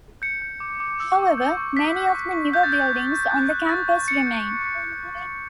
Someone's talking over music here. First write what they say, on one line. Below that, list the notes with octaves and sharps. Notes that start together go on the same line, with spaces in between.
However, many of the newer buildings on the campus remain.
G6 C#7
G6
D6
D6
E6
C#6
G6
C#6
F#6 B6
F#6
C#6
C#6
F#6 G6
A6
F#6 G6
C#6
C#6
F#6 A6
F#6
C#6 A6
C#6
G6 C#7
G6
D6